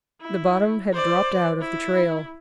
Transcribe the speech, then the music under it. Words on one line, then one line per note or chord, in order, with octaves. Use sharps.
The bottom had dropped out of the trail.
E4
C5 D5
E4